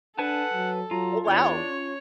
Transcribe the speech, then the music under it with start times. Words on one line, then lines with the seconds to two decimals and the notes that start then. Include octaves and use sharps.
Oh wow.
0.19 D4 A4 B4 F#5 G#5 A5
0.53 F#3
0.91 F#3 F4 A#5
1.26 E2 D4 C#5
1.68 C#4